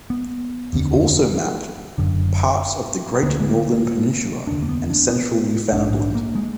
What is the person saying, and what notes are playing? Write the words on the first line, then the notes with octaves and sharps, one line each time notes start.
He also mapped parts of the Great Northern Peninsula and central Newfoundland.
B3
F1 D#2 D3
F#1 F#2 D3
D2 D3 B3
A#3
G#3
A#3
F1 D#2 D3 D4
A#3
B3
D4
B3
A#1 G#2 D4
D4
A#3
G#3